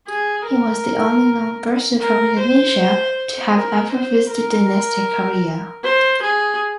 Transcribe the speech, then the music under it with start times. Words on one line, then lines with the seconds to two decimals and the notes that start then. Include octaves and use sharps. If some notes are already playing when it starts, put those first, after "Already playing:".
He was the only known person from Indonesia to have ever visited dynastic Korea.
0.08 G#4
0.46 A#4
2.01 A#4
2.39 C5
3.55 A#4
3.92 C5
4.31 A#4
5.84 C5
6.23 G#4